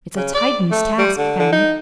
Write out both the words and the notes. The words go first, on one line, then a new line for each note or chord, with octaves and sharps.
"It's a Titan's task, Ken."
C#3
D5
A3
G3
D3
D3
D#4